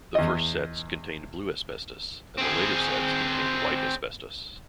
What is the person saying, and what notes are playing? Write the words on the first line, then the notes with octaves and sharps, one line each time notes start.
The first sets contained blue asbestos, and the later sets contained white asbestos.
E2 D#5
C4 G#4